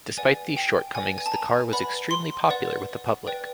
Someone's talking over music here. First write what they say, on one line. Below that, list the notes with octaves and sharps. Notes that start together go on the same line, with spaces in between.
Despite these shortcomings the car was extremely popular with the public.
B4 D5 F#5 G#5
G5
B4 D5 F#5 G#5
G#5
A5
A#5
B4 D5 F#5 B5
C6
B4 D5 F#5
B4 D5 G5